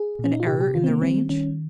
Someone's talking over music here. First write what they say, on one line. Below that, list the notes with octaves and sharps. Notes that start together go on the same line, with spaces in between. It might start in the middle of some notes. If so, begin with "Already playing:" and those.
An error in the range?
Already playing: G#4
A#2 C#4
D#4
F4
C3 G4
G4
D#3 F4
C4
A#3
G3 C4
D#3 C#4